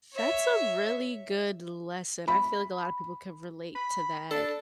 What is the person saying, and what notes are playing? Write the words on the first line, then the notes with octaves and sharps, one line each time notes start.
That's a really good lesson. I feel like a lotta people could relate to that.
C#5 E5
B5
B5
D4 A4